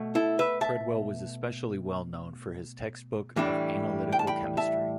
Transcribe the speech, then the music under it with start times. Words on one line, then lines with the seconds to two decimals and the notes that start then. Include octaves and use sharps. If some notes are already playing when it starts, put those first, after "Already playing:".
Treadwell was especially well known for his textbook of analytical chemistry.
Already playing: B2 A3
0.15 E4 A4
0.39 B4 E5
0.61 E5 A5
3.36 A2 E3 G3 D4
4.12 G5
4.19 A5
4.27 G5 B5
4.57 E5 A5